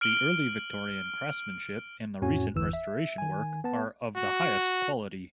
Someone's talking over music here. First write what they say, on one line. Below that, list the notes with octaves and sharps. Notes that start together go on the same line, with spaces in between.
The early-Victorian craftsmanship and the recent restoration work are of the highest quality.
F6 D7 F#7 G7
F2 A2 C#4 F#4 G#5
G1 E2 E3 E6
E5
D#3 G#5
B3 A5
F#4